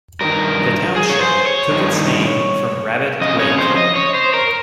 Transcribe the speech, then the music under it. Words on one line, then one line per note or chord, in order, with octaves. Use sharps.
The township took its name from Rabbit Lake.
G2 D#3 A#4
G#4
C#5
C5
C#5
G2 D#3
F2 C#3 D#5
C#5
C5
D#5
C#5
C5
A#4